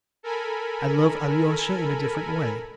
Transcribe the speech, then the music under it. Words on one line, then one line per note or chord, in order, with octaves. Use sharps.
I love Alyosha in a different way.
A4 A#4 G#5 B5